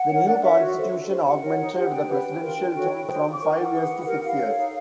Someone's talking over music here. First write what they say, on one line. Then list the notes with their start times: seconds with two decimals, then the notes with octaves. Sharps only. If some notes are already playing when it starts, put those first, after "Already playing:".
The new constitution augmented the presidential term from five years to six years.
Already playing: F#5
0.09 A#4 C#5
0.25 D4 D5
0.42 F4 A#4 C#5 E5
0.59 F#4
0.75 A4 C5
0.91 D4
1.08 G4 C5
1.19 G5
1.25 F4 F#5
1.41 A#4 C#5
1.58 D#4
1.75 G4 C5
1.90 D4 G5
2.08 G4 B4
2.24 C#4
2.41 F4 A#4
2.57 D4
2.74 F#4 A4 C#5
2.90 E4
3.07 G#4 C5
3.23 F4
3.32 D6
3.40 A#4 C#5 C#6
3.48 G5
3.57 D#4 F#5
3.73 G#4 B4
3.90 E4
4.06 G4 A#4
4.23 E4 F5
4.39 A4 C#5
4.56 D#4